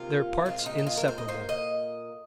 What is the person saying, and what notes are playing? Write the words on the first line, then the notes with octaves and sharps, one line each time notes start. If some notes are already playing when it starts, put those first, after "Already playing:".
Their Parts inseparable.
Already playing: C3 D#3 A#3 F4
A#2 G#3 C4 F4
D#4
D#4
F4
A#4
C5
D#5
A#2 A#3 C5
D#5